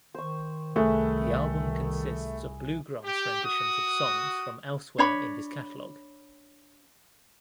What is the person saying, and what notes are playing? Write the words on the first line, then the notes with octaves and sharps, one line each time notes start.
The album consists of bluegrass renditions of songs from elsewhere in his catalog.
D#3 C5 C#6
C2 A3 G#4 B4 E5
G4
F#4 D#6
D4 C#5 B5